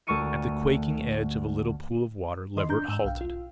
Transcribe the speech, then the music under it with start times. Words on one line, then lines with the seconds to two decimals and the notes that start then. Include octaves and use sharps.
At the quaking edge of a little pool of water, Leverett halted.
0.07 D2 A4 A#4 C#6 C#7 D#7
2.57 D#3 D#5 C6
2.69 D4 A#5 G6
2.88 G#2 E6
3.05 B1 F5 G5
3.21 F4